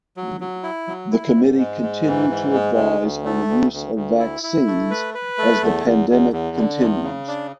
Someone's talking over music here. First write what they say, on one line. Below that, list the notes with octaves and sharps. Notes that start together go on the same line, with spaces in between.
The Committee continued to advise on the use of vaccines as the pandemic continues.
F#3
F#3
E4
F#3
E4
G#2
G#3
G#2
E3
G#2
G#3
D2
D2
A3
D2
D2
D2
E4
E4
A3
B4
B4
A3
E2
E2
E2
E2
D3
E2
C#3
D4